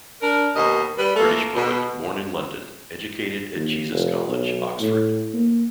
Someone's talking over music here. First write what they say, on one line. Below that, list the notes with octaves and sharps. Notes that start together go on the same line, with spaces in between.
British poet, born in London, educated at Jesus College, Oxford.
D4 A#4
D#2 B2 D#5
G3 B4
A3 A#3 A4
B2
D#2
F1
B1
A2
A#3